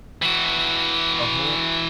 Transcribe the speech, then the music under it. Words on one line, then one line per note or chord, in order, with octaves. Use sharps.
the whole
E3 F#4